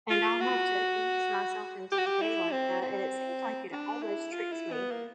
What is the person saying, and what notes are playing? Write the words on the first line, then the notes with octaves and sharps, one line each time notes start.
and I'll have to ease myself into the day like that, and it seems like it almost tricks me
F4
F#4
G4
F#4
G4
E4
C4
C4
D4
E4
F4
E4
B3
A#3